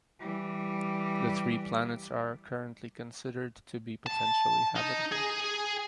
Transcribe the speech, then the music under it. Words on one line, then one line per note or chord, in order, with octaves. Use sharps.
The three planets are currently considered to be potentially habitable.
E3 G3
A5
D#4
G#4